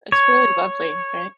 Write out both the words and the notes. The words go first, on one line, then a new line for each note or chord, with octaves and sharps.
It's really lovely, right?
C#5